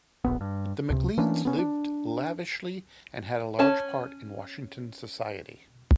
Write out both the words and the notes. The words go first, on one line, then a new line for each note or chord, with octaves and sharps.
The McLeans lived lavishly and had a large part in Washington society.
D1 A#1 B3
G2
C#2 C3
E3 A#3 C#4 D4
B3 C#4
D4
C#4 A5